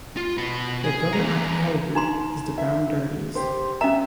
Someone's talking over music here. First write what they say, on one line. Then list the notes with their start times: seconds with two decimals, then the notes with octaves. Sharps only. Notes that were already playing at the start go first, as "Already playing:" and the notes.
Their brother a cappella group is The Brown Derbies.
0.17 F4
0.37 B2 B5
0.84 G#4
1.13 E2 A#5
1.95 D#4 A#5 C6
2.58 E5
3.35 G4 C5
3.81 C#4 E5 A#5